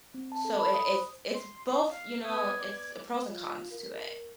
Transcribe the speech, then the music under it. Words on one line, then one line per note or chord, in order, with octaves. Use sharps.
so it it's it's both you know. It's pros and cons to it.
C4
A5
A4
B5
D#6
C5
C6
F5
B3 D#6 G#6
D5
F4
A#4